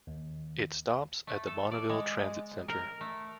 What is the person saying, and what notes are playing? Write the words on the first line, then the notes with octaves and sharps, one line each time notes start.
It stops at the Bonneville Transit Center.
D#2
A3
A4
D5
G#3
A#4
A3